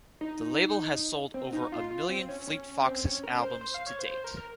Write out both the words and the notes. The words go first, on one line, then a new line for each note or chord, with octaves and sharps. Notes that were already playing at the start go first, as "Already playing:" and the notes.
The label has sold over a million Fleet Foxes albums to date.
D#4
C4
D#4
F4
F4
C4
C#4
C#4
C4
C#4
A#4
C5
C5
F5
C#5
C5
C5
A#4
A#4